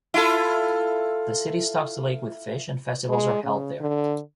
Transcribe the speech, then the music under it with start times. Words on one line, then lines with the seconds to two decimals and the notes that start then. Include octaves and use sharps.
The city stocks the lake with fish and festivals are held there.
0.14 E4 F4 A4
3.09 G#3
3.43 C#3
3.80 D3